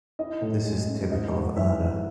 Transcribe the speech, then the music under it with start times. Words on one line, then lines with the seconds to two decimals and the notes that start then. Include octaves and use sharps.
This is typical of Erna.
0.19 E4 D#5
0.42 A2
0.65 G#3
0.88 C#4
1.10 G#2 D#5
1.34 G#2
1.56 E3 E5
1.80 G#3